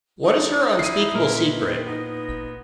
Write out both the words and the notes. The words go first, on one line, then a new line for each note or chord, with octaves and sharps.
What is her unspeakable secret?
D4 D#4
E4 C7 D#7
A#2 A#4 B4 D#5
D#3
B3 D#4